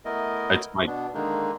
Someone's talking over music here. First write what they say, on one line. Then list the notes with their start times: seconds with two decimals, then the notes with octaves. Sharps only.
that's my
0.05 A3 B3 E4 A#4 D#5
0.87 B2 B3 D4
1.14 D3 D#3 G#3 A#3 D4 D#4